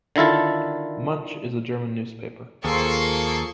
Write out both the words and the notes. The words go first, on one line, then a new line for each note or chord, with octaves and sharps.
Munch in a German newspaper.
D3 D#3 E4 F4 A4
D#2 F3 A#3 G#4 A4 C#6 C7